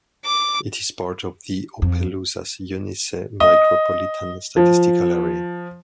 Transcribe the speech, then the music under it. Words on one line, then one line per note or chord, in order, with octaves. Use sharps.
It is part of the Opelousas-Eunice Micropolitan Statistical Area.
D6
F2
D#5
F3